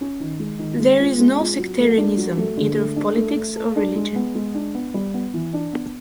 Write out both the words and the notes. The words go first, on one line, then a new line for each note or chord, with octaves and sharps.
There is no sectarianism, either of politics or religion.
C#4
D#3
G#3
D#3
G#3
F4
G#3
F4
F#3
A3
D4
F#3
A3
D3
A3
D4
A3
A3
A4
D4
G#3
B3
G#3
D4
B3
G3
B3
E3
D4
B3